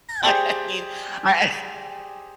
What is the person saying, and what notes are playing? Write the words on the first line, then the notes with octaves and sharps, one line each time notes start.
I mean, I
G4 G#4 C5 D5 G5